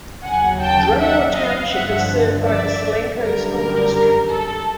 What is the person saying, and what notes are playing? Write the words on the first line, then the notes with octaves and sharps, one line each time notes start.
Drumore Township is served by the Solanco School District.
D#2 C#3 F#3 F#5 G#5
G5 A5
E5 F#5
D#5 F5
G2 D3 F3 E5 F#5
D5 E5
F#2 D3 G3 A#4
A#4
A#4
A4